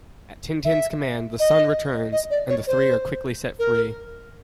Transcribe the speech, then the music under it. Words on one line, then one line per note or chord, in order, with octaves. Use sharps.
At Tintin's command, the Sun returns, and the three are quickly set free.
E5
D#5
D#5
D5
C#5
C5
A#4